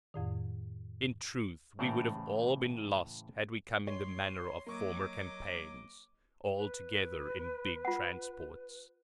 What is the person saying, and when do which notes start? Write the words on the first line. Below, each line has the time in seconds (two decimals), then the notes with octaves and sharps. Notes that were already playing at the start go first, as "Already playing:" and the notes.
In truth we would have all been lost, had we come in the manner of former campaigns, all together in big transports.
0.14 F2 A2 D#3
1.79 A2 C#3 E3 C5 D5 A#5
3.87 C#5 C6
4.66 F#3 A#3 D#5 C#6 D6
6.56 B4
7.85 F4 F#5